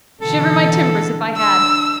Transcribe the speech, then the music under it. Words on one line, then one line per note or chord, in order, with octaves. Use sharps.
Shiver my timbers if I had.
B2 D3 E3 A4
D4 E6